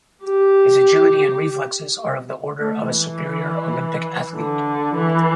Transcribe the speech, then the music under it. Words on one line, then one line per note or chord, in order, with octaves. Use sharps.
His agility and reflexes are of the order of a superior Olympic athlete.
G4
A3
E3
D3
E3